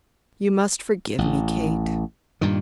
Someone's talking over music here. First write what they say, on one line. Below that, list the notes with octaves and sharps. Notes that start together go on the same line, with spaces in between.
You must forgive me, Kate.
A1
G2 A#2 D#3